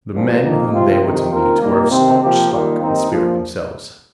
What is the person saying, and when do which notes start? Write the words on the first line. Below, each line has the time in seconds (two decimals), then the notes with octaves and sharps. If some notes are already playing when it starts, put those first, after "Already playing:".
The men whom they were to meet were of staunch stock and spirit themselves.
0.12 C2 A#2 F3
0.42 F2 F3 A#3 D#4
0.71 C3 F3 C4 F4 C5
1.01 F2 C3 D#3
1.30 D#2 D#3 C4 F4 A#4
1.61 C2 A#2 G3 A#3 D#4
1.90 C3 D#3 C4
2.20 C3 F3 A#3 G4
2.49 D#2 D#3 G3 A#3 F4
2.80 D#2 D#3 C4 D#4
3.09 A#1 A#2 F3